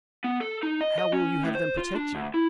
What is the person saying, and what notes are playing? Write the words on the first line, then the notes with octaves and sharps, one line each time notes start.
How will you have them protect you?
B3
A4
D#4
D#5
D#5
C#4
A2
C5
F4
D4
D2
E4